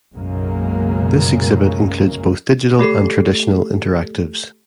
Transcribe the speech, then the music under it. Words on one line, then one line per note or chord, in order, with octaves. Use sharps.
This exhibit includes both digital and traditional interactives.
B1 F#2 C#3 G#3 A#3
A3 G4 A4 C7